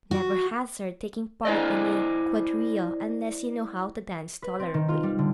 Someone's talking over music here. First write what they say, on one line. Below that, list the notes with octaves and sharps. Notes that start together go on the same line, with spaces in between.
Never hazard taking part in a quadrille unless you know how to dance tolerably.
F#4
E4 C5 D5 D#5
B4
C4
D#3
F4
G3
D3